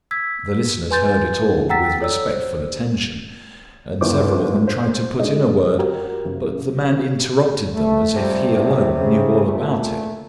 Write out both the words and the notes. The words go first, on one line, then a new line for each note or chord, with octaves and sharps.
The listeners heard it all with respectful attention, and several of them tried to put in a word, but the man interrupted them, as if he alone knew all about it.
E6 G#6 B6
B4 G#5 C6 G6 A6
D#4
F#5 G5 A#5 E6 A6 B6
A4 C#5 D5 E6
C5
G1 D#2 D4 E4 C5 D6
C5
G#3 D4 D#4
F#4 G4 A#4
F#1
A3
F2 C3 G3 A3
C2 A2
C#3
A#1 A#2 A3